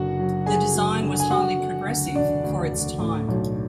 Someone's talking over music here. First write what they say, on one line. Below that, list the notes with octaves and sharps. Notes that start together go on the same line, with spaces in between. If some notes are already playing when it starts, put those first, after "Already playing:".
The design was highly-progressive for its time.
Already playing: F#1 D3 F#4 F#5
F#3
D3 G#4 G#5
F#3
D3
G#5
F#3 F#4 F#5
D3
D2
E1 D4 D5
D2
D2
A2
B1